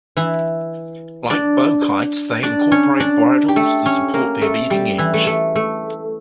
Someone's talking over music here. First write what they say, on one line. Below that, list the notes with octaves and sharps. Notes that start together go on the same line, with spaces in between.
Like bow kites, they incorporate bridles to support their leading edge.
E3 E4
D4 D5
D4 D5
C#4 C#5
D4 D5
G4
A3 A4
C#4 C#5
A#3 A#4
A3 A4
G3 G4
E3 E4
A3
A3
A3